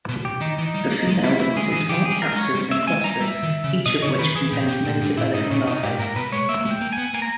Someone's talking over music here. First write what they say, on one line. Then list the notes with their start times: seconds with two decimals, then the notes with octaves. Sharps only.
The female deposits white capsules in clusters, each of which contains many developing larvae.
0.09 B2
0.25 G4
0.41 D#3 D#4
0.58 E3 D#4
0.74 G3
0.91 A#3
1.08 G#3
1.23 G3 E4
1.39 A#3 E4
1.56 G#3 G#4
1.73 E3 G#4
1.89 D#3 G4
2.05 G#4
2.11 G3
2.22 A#4
2.32 G#3
2.38 C#5
2.55 G3
2.71 A#3 E5
2.87 G#3 G#5
3.04 G3 A#5
3.21 G3 E5
3.43 D#3
3.64 C#3
3.86 B2 D#5
4.02 C#3 C#5
4.19 D#3 B4
4.35 E3 G#4
4.52 A#2 G4
4.68 B2
4.85 A#2
5.01 G#2
5.17 A#2 E4
5.34 G#2 D#4
5.50 A#2 C#4
5.67 B2 D#4
5.83 G#2 G4
5.99 G#2 A#4
6.16 B2 B4
6.32 G#3 C#5
6.49 A#3 E5
6.65 G#3
6.70 G5
6.81 A#3
6.93 G#5
6.98 B3
7.14 A#3 G#5
7.22 A#5